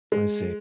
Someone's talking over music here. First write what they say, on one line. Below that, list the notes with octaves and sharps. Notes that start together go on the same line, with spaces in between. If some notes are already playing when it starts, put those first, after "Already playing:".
I see.
G#3